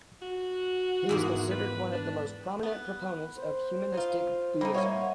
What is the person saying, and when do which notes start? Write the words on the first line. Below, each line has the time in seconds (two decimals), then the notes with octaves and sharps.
He is considered one of the most prominent proponents of Humanistic Buddhism.
0.22 F#4
1.09 E2 G#2 A#3
1.51 B4
1.92 D4
2.63 B3
3.36 C5
3.94 D#4 F4
4.61 G3 A#3 C4 D#4 B5
4.74 A#3 C#5 D#5 E5 F#5